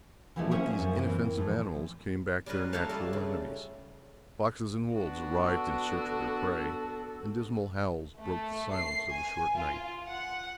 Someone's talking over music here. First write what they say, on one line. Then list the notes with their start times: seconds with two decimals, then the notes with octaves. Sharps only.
But with these inoffensive animals came back their natural enemies. Foxes and wolves arrived in search of their prey, and dismal howls broke the silence of the short night.
0.36 E3 F3 G#3 A3 E4
0.51 A#3 C#4 C5 C#5 E5 F#5
0.79 F#2
0.96 E3 A#3 C4
1.37 A2 E3 F3
2.46 G3 C#4 F4 A#4 B4 C#5
2.73 A#3 E4 F#4 A4 F5 A5
2.89 G3 A3 F4
3.13 C#3
4.92 B3 D4 F#4
5.45 A4
8.20 A3
8.73 C7
9.10 G#5
9.55 F4
10.08 F#5